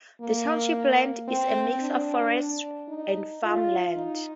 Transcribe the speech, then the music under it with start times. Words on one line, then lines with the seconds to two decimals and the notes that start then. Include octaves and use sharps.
The township's land is a mix of forest and farmland.
0.21 A#3
1.28 C4
1.81 D4
2.88 D#4
3.42 F4
3.96 D#4